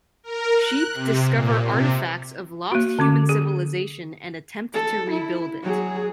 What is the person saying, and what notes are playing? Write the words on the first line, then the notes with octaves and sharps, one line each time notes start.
Sheep discover artifacts of lost human civilization and attempt to rebuild it.
A#4
F#6
C3
A#2
C3
A#3 F#4
D3 C#4 D6
G#4
A4
E4
F#3 G#4